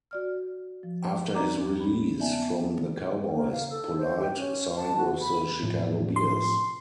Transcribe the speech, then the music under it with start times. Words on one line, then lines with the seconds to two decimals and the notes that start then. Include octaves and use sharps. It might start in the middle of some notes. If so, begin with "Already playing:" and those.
After his release from the Cowboys, Polite signed with the Chicago Bears.
0.11 F#4 D5 F6
0.83 F3
1.35 E2 C4 D#4 D5 A#5 D6
1.77 C#4 B5
2.20 B3 D5 E5 G#5 A5
3.33 A#3
3.52 F5
3.70 A4
3.98 C5
4.19 G4
4.37 C#4
4.76 A5
4.97 F#4
5.20 B5
5.63 A2 C3 F3
6.16 C6